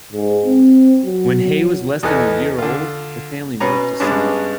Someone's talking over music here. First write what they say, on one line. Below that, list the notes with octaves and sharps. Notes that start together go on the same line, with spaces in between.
When Hay was less than a year old the family moved to Suffolk.
G#2
C4
F#3
E2 E3 D#4 A4 G#5 F#6
D3 F4
B2 C#4 B4 C#5 A#5
G2 G#3 B3 C#4 D4